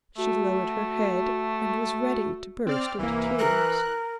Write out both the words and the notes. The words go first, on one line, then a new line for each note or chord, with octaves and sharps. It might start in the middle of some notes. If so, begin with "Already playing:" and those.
She lowered her head and was ready to burst into tears.
A3 F#4
C4 D5 F6
C2 E3 A#3
A#4 F#6